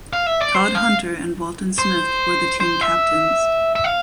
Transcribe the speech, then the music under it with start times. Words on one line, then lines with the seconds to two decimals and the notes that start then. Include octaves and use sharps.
Todd Hunter and Walton Smith were the team captains.
0.13 F5
0.26 E5
0.41 D5
0.54 C5
0.75 F5
1.79 C5
2.60 C5
2.81 E5
3.76 E5
3.84 F5